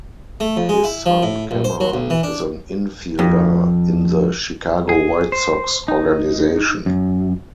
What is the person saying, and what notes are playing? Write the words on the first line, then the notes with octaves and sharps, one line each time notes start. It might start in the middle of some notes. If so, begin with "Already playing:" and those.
His son Cameron is an infielder in the Chicago White Sox organization.
A3
F2
G#3
E4
F3
A2
A#1
C5
F#3
B1
E3
D4
F2
G#4
C5
D#4
F#2